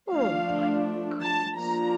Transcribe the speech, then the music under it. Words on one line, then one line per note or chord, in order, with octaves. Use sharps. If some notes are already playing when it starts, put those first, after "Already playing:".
Oh, my goodness.
F3 A3 D4 F5
A5
F3 A#3 D4 A#5